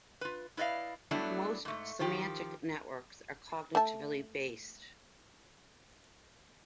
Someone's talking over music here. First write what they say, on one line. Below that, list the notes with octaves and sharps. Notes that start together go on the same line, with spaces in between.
Most semantic networks are cognitively based.
F4 B4
E4 B4 D5 D#5 F5
F#3 G3 A3 B3 D4 E4
G#2 A3
D#3 F3 G4
A3 E5 A5